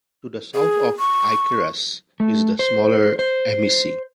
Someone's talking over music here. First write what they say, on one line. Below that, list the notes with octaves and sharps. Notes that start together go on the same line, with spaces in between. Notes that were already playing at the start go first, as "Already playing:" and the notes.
To the south of Icarus is the smaller Amici.
G#4
C#6
A3
C5
C5